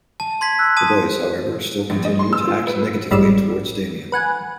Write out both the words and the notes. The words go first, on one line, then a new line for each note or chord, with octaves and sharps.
The boys, however, still continue to act negatively towards Damien.
A5
C6 G#6 B6
E6 F#6
A5 D#6
A#1
D#5
C6
E6
F4
B4
A1 G2 G3 G#3 E6
B4 F#5 G#5